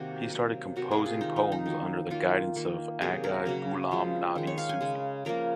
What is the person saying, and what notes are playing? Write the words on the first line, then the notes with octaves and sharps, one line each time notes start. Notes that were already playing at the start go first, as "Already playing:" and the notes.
He started composing poems under the guidance of Agha Ghulam Nabi Sufi.
Already playing: C3 D#3 A#3 F#4
C3 F#3 A#3
C3 F#3 A#3 F#4
G#4
F4
D#3 G#3 D#4
D#4
D#4
D#3 F#3 A#3
D#3 A#3 F4
D#3 A#3
C3 F#3 A#3 G#4
A#4
C#3 F#3 A#3
C#3 F3 G#3
D#3 G#3
C#5
F5
G#5
C#3 G#3
C#3 F3 A#3 A#4